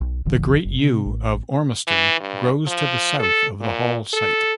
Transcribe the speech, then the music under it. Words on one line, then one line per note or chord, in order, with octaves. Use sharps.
The Great Yew of Ormiston grows to the south of the hall site.
B1
E1 A1 D3 F3
F#1
C3
A1
E3
G2
F3
A4
A#2
A4